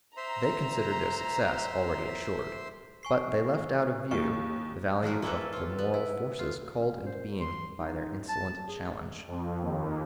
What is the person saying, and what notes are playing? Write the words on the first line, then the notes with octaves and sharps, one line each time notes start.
They considered their success already assured; but they left out of view the value of the moral forces called into being by their insolent challenge.
C5 E5 A#5 C6
G#5 C#6 C7
D#2 C#6
F3 F#3 F#4 A#4
A#3 C4 C#4 E4 A4 B4
F4 A4
B3
E4
F4
C#4
C5
C6
D#4
A5
G#4
F2
D#2